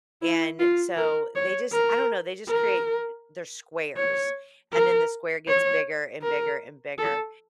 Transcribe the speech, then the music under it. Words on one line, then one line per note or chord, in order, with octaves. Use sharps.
And, so, they just I don't know, they just create they're squares, and then the square gets bigger and bigger and bigger.
E4
F4
A#4
C#5
A#4
A#4
C#5
A#4
C#5
A#4
A4